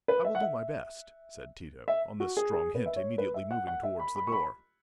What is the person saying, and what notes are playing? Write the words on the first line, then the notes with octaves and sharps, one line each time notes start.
"I will do my best," said Tito--on this strong hint, immediately moving towards the door.
B4
E5
F#5
E5
E5
F#4
G#4
G#4
B4
E5
C#5
B4
E5
F#5
F#5
E5
B5
B5
C#6
B5